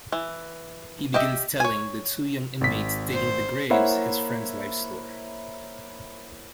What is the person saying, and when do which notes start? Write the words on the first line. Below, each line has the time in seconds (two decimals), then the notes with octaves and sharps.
He begins telling the two young inmates digging the graves his friends' life story.
0.12 E3
1.14 G4 D#5 E5
1.60 C#5 G#5
2.61 G#1 B6
3.12 C5
3.70 A#3 E4 C5 C#5 E5 F#5